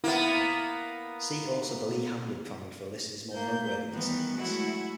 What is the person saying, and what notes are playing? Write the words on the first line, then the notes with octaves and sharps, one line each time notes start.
See also the Lee-Hamblin family for a list of more of his noteworthy descendants.
A#3 B3 E4
A3 A#3 G6
D#3 E3 G3 B3
F#3 G#3 A3 E4 F#4 F#5